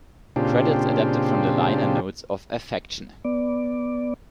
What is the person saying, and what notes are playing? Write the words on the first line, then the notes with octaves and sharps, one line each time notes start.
Credits adapted from the liner notes of "Affection".
A#2 C#3 C4 D4 F4 G4
B3 D5